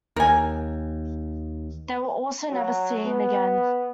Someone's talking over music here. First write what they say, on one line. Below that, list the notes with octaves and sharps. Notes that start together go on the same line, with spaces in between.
They also were never seen again.
D#2 A#4 G#5
F#3
B3